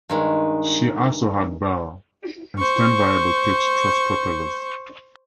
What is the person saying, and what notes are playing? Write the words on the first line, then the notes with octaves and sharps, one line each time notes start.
She also had bow and stern variable-pitch thrust propellers.
G2 D#3 G#3
C5 C#6